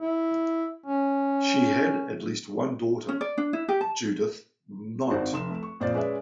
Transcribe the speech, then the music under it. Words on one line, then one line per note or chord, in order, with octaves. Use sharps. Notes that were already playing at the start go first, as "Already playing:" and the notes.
She had at least one daughter, Judyth Knight.
E4
C#4
C#4
D5
D4
E4
G4
A5
G#1 C4 F#4 C5 D5 A5
F1 C6 E7
A3 E7
C#6
F2 A#2 C5 D5 D#5 A6
G#3 C#4 B4 D5 E5